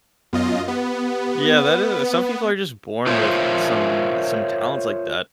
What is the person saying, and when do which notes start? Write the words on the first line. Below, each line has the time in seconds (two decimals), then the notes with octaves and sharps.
Yeah, that is some people are just born with some some talents like that,
0.33 F#2 B3 F4 D#5
0.68 B3 G4
1.67 B4
3.07 F4 A#4 C5 C#5 E5 F5